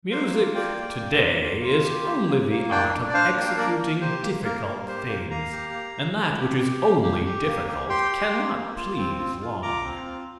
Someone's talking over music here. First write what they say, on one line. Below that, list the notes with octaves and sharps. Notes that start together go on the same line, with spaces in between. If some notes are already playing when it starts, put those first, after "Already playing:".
Music, to-day, is only the art of executing difficult things, and that which is only difficult cannot please long.
A#3 C5 F5
F4
A#3 D5 G5
A#3
A#3
F4
A#3
F4
G4
A#3
A#3
A#3
D4 D5 G5
D4
D5
D4 C5 F5
A#3
G5
F5
A#3 A#4 D5
A#3
G4 C5
A#3
A#3 A#4
A#3
G4 C5
A#3
A#3 F5 A#5
G4
A#3
A#3
A#3
G4
G4
A#3
G4
G4
A#3
G4
G4 G5 C6
G4
A#3
A#3
F4
C4
F4
F4
F4 A#5 D6
C4
F4